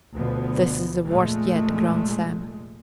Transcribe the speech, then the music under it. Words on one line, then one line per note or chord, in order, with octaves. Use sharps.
"This is the worst yet!" groaned Sam.
D2 B2 D3 F3 B3
F1 A#2 G#3 A3